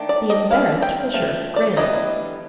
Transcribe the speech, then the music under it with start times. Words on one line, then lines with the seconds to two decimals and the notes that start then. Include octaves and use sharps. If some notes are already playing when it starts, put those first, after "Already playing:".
The embarrassed Fisher grinned.
Already playing: D#3 A3 D4
0.09 D5
0.30 D#5
0.50 C#4 E4 F5
0.54 A3
0.82 G5
1.14 F3 A3
1.56 D5
1.77 E3 G3 B3 D4 D#5